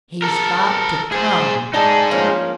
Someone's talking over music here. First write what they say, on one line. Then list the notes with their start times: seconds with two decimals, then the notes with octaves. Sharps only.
"He's got to come!"
0.22 A4 A#4
1.12 G#4 C5
1.74 D#4 G#4 A4 D5 A5
2.11 F3 A#3 C#4